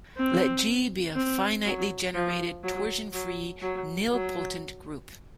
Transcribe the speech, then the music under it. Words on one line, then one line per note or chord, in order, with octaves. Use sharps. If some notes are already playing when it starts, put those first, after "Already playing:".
Let "G" be a finitely generated torsionfree nilpotent group.
C4
C4
F#3
F3
F#3
F#3
F#3
F#3